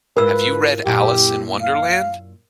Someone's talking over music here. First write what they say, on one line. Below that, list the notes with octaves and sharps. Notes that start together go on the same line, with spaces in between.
Have you read Alice in Wonderland?
G#2 E4 F4 A#4 B4 E6
F#2 A#2 E4 G4
F5